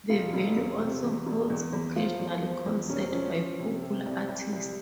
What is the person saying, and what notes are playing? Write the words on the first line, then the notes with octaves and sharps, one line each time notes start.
The venue also hosts occasional concerts by popular artists.
E1 F4
E1
E1
C3
E2
E1
E2
E2
F3 F4
E2
F3
E2
E1 C#4
C4
F3 C#4
F3
C3
C3
C2
C2
C2